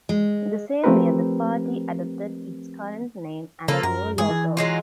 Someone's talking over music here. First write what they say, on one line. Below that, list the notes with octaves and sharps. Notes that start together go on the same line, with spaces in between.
In the same year, the party adopted its current name and a new logo.
G#3
F3 A3 C4 G4 A#4 B4
C#3 A#3 F4 A4
F#2 A#4
G2 G#3 G#4
E3
F#3 G#3 F4